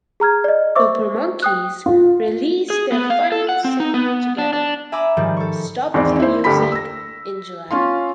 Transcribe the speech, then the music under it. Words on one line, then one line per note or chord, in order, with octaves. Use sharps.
Super Monkey's released their final single together, "Stop the Music" in July.
G#4 A#5 F6 G#6
D5 D#5
C5 E5 C#6 D6 E6
G5 D#6 F#6
F4
G#4
B3
F5
A4
F#5
C4
D#4
B3
D4
D4
E5 G#5 A#5 B5 D6 E6
G#2 D#3 F3 G3
A4 C#6
G#1 E2 C4 D5
E4 C5
G1 D2 A3 G4 B5 B6
E6 A#6
C#4 F4 F5 C6